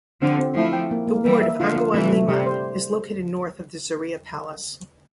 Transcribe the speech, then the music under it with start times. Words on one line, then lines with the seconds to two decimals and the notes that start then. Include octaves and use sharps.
The ward of Anguwan Liman is located north of the Zaria palace.
0.21 D3 F3 C4
0.39 C4
0.55 F3 A3 E4
0.73 G5
0.91 A#3
1.07 A#3
1.25 E3 G3 A#3
1.42 E5
1.60 D3 F3 F4
1.77 F4
1.94 C3 E3 A3
2.12 A3
2.29 C3 G3
2.46 C5